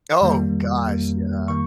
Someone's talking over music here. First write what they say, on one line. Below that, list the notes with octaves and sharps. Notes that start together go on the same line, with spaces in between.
Oh, gosh, yeah.
F2 D#3 G3 A#3
F2 D#3 G3 A#3
D#3 G3 A#3 C#6